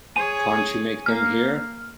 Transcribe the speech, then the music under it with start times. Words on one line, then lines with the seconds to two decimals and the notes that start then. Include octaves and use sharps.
Can't you make them hear?
0.16 G#4 C#5 G#5 D#7
1.06 A#3 F6